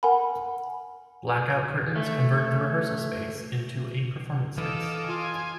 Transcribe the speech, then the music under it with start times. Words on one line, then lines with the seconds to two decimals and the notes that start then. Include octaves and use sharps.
Blackout curtains convert the rehearsal space into a performance space.
0.03 A#4 F#5 G#5 B5
1.96 A3
4.58 E3 A4 D#5 F5 D6 E6
5.07 F4 G#5